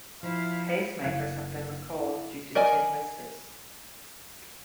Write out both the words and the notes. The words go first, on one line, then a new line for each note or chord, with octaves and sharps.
Pacemakers have been recalled due to tin whiskers.
F3 E4 F5
F#1 E4 F5 F#6 G#6
E4
A#4 D5 D#5 G#5